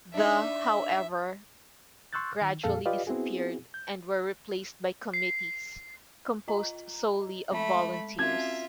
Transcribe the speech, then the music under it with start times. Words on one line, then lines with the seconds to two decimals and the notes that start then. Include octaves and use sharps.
The however gradually disappeared and were replaced by committees composed solely of Volunteers.
0.14 D4 D#4 E5
2.13 C6 C#6 E6 F#6 G6 A6
2.41 D#3
2.64 F2 A#2 G#4 A4 F5
2.86 F4 G4 B4 D5 D#5 F5
3.07 B3 C4 E4 F#4 G#4
3.74 G6
5.14 C7
6.48 F4 D#5 A#5
7.52 G#3 A3 E5 B5
8.19 C4 C#4 F4 F#4 E5 G#6